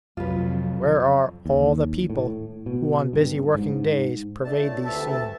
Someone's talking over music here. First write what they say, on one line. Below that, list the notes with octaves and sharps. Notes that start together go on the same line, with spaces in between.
Where are all the people who on busy working-days pervade these scenes?
A#1 F2 C3 F#3 F4 B4
D#2
A2
B2
G2
G#2
C#2 A3 D4 A5
D2 C3 E3 A3 E5 A5